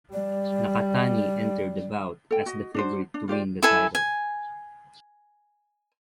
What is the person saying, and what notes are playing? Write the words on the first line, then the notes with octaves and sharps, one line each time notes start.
Nakatani entered the bout as the favorite to win the title.
G3 D5
A4 G5
F#4 D#5
D4 F#4 C5
D4
F4 G4 C5 D5
E4 A4 G#5
G#5